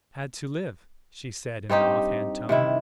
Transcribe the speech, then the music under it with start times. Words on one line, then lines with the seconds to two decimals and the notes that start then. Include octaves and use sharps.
"I had to live," she said in an off-hand tone.
1.70 G2 C4 D#4 G4
2.49 C3 D#3 E4